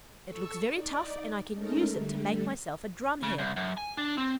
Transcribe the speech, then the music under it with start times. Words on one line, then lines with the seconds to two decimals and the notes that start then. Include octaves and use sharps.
It looks very tough and I can use it to make myself a drumhead.
0.28 A4 C#6 E6
0.70 D#4 D5
1.53 G#3 A3 C#4 D#4 A4 A#4
1.91 D3 G3 A3
3.23 C#3
3.39 C2
3.57 F#2
3.78 G#5
3.98 D4
4.18 C4